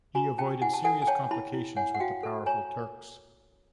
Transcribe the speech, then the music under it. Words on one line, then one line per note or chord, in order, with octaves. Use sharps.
He avoided serious complications with the powerful Turks.
F#4 G#5 A#5
C#4 G5 A5
E4 F#5 G#5
A5
A4 F#5 G#5
G#5
C#5 G5 A5
E4 A5 B5
E4
C#5 F#5 G#5
F#5
F#4 F5 G5
A4
C#5 G#5 A#5